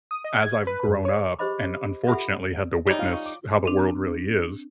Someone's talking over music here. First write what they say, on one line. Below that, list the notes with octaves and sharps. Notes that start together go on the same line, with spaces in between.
as I've grown up and unfortunately had to witness how the world really is,
D#6
D#5
G#6
B4
F#2
C#5
G4 G#4 C5 D#5 B5 D6
F4 G4 A4 E5 F#5 B5
G3 D#4 C#5 D5
F4 F5
C#6
D6
C4 D4